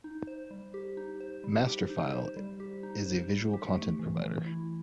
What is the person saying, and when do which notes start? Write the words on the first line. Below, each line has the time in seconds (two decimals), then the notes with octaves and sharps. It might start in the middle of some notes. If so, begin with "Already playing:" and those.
Masterfile is a visual content provider.
0.04 D#4
0.27 C5
0.51 G3
0.74 G4
0.97 D#4
1.20 C5
1.44 G3
1.67 G4
1.90 D#4
2.13 C5
2.37 G3
2.60 G4
2.83 D#4
3.06 C5
3.29 G3
3.54 G4
3.76 A3
3.99 E3
4.22 E3
4.46 E4